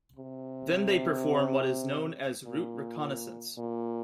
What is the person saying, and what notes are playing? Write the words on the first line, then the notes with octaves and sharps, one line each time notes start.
Then they perform what is known as route reconnaissance.
C3
A#2
A#2